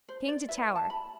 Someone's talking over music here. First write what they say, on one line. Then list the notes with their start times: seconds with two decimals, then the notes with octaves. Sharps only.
King to tower.
0.09 C5
0.28 D5
0.49 E4 B4 E5
0.76 A5
0.90 B5